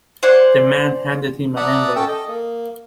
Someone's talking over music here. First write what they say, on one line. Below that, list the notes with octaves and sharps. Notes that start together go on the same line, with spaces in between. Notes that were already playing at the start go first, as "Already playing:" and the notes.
The man handed him an envelope.
C5 D5 F#5 G#5
D5 E5 F#5 A5 A#5 D#6
C#4 A4 G5 A5 E6
A4 D#5
A#3